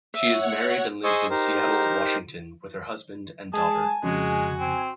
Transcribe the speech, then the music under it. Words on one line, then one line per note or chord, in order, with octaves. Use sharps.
She is married and lives in Seattle, Washington with her husband and daughter.
C#5 E5 F#5
G#4 C5 D#5 G#5 C#6 E6
D#4 G4 A#4 C5
G#3 G#4 G#5 A5
F2 C#3 G#3 F#4
C4